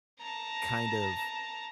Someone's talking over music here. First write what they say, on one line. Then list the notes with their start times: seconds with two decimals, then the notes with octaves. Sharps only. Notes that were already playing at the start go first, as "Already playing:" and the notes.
kind of
0.19 A5 A#5